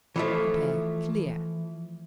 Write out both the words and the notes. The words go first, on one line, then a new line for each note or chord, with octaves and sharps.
Compare CLEAR.
E3 F3 A3